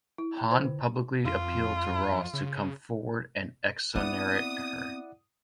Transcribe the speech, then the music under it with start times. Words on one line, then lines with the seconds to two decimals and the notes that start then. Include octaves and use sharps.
Han publicly appealed to Ross to come forward and exonerate her.
0.18 E4
0.37 G5
0.51 C5
0.64 D3
1.25 F2 F4
2.34 C#3
3.96 B3 C4 E4 D5 F#5 D#6